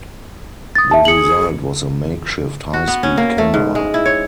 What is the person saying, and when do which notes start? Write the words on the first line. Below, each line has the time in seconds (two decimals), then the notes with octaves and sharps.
The result was a makeshift high-speed camera.
0.75 D#6 A6
0.91 E5 A5
1.05 G#4 C#7 F#7
2.73 F#4
2.88 B3
3.03 C#4
3.17 A#3
3.38 A3
3.54 G#2
3.75 G#3
3.94 E4
4.06 C#5